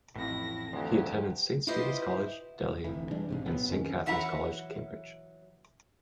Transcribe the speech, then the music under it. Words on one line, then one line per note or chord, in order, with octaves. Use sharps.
He attended Saint Stephen's College, Delhi, and Saint Catharine's College, Cambridge.
A1 F2 A2 E4 A#6
D2 F3 F#3 G4
E4 F4 G4 B4 C5 D#5
F1 D2 E3
E3 G3 G#3 D4
B1 G#2 C3
A#1 F#3 B3
F2 D#3 C#4
E3 F#3 E5 F#5 A#5